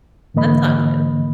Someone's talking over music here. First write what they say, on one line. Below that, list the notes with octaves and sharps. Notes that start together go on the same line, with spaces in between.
That's not good.
G#2 D3 E3 A#3 D#5 B5